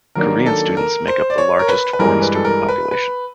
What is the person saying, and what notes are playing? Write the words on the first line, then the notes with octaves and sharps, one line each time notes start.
Korean students make up the largest foreign student population.
D#3 F#3 A#3 D4 A#4
A4
A#4
C5
D5
C#5
A#4
B4
B4
G2 E3 G#3 A#4
B4
A4
A#4
B4
B4